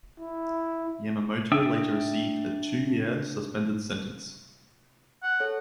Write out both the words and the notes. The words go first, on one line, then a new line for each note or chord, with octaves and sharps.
Yamamoto later received a two-year suspended sentence.
E4
D4 E5 G5 D#6 E6
F#5
A4 C#5